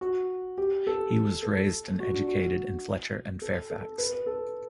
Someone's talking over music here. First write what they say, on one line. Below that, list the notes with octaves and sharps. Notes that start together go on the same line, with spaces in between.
He was raised and educated in Fletcher and Fairfax.
F#4
G4
A4
A4
F#4
D4
F#4
A4
A4
B4
B4
A4